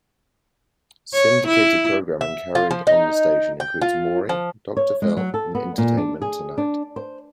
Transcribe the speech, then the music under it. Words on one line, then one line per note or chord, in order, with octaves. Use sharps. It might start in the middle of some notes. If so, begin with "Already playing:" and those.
Syndicated programming carried on the station includes "Maury", "Dr. Phil" and "Entertainment Tonight".
C#5
E4
E5
F4
F3
D#4
G5
F4
F3
C#5
G#3
F#3
A4
B3
A#2
D4
G#4
D4
C5